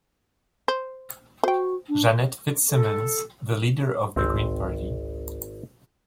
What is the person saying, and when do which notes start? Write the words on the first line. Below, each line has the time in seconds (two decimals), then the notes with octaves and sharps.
Jeanette Fitzsimons, the leader of the Green party.
0.68 C5
1.43 F#4 C5 G5
1.88 D4
2.69 A4
4.16 G#1 C#2 C4